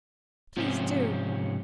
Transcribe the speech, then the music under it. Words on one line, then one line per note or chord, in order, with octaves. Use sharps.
Please do.
G#2 C3 F3 C4 C#4